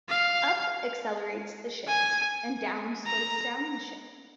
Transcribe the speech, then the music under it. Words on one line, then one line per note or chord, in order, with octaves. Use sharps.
Up accelerates the ship and down slows down the ship.
F5
G#5
A#5